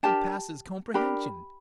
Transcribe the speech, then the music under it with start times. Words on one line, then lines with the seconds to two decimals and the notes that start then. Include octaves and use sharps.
It passes comprehension.
0.03 D4 G4 A#4 A5
0.94 D4 G4 A#4 B5